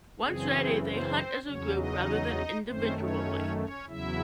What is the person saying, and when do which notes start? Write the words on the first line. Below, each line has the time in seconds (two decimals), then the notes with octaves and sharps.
Once ready, they hunt as a group rather than individually.
0.24 F#2 C#3 E3 C4 G#4
0.85 C4 C5
1.45 E2 C#3 F#3 C#4 C#5
1.75 D#4 D#5
2.67 F#2 D#3 A3 C4 C#4 C5
2.97 C#4 C#5
3.58 C#4 C#5
3.88 E2 C#3 F#3 E4 E5